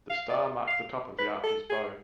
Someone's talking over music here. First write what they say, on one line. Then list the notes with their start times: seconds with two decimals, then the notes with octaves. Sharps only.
The star marks the top of the Archer's bow.
0.10 F5
0.30 D5
0.68 F5
1.19 B4
1.44 A4
1.70 G#4